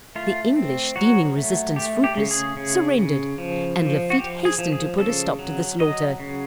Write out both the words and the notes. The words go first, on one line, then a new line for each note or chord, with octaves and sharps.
The English deeming resistance fruitless, surrendered, and Lafitte hastened to put a stop to the slaughter.
A3 F4
C4
F#3 F#4
A3
A3 G4
G4
C#3
G#4
C#3
C#3
F3
F3
F#4
F3 G4
G#4
F3
G#4
C#3 A4
F#3
F#3 D#5
C#3